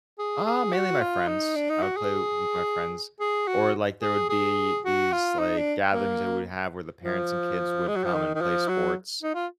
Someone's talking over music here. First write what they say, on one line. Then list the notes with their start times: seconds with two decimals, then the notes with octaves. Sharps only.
Ah, mainly my friends. I would play with my friends, or, like, there would be these, like, gatherings that we'd have where the parents and kids would come and play sports,
0.19 G#4
0.46 G#4
0.74 F#4
1.01 F4
1.28 D#4
1.56 D4
1.69 D#4
1.82 F#4
1.97 G#4
3.20 G#4
3.48 F#4
4.02 G#4
4.30 G#4
4.85 F#4
5.12 F4
5.39 D#4
5.57 D4
5.94 A#3
7.04 F3
7.88 G#3
7.96 F#3
8.04 F3
8.14 D#3
8.35 D#3
8.41 F3
8.69 F#3
9.23 D#4
9.34 F4